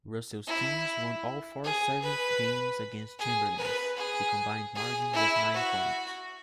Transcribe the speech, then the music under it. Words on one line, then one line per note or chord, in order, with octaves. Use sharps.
Russell's teams won all four seventh games against Chamberlain's-the combined margin was nine points.
E4
G#4
B4
G#4
B4
G#4
G#4
E4
F#4